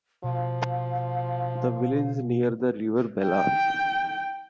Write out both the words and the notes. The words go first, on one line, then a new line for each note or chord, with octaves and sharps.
The village is near the River Belah.
B2 F3 F5
G5